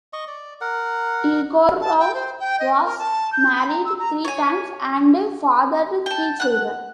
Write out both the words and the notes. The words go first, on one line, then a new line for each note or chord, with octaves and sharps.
Yegorov was married three times and fathered three children.
D#5 C#6
D5
A#4 F#5
A5
G5
C5
G5
D#5
A#4
A5
G6
B5
A#5
E6
A#5
C#5 G#5
G5 A5
F#5 F#6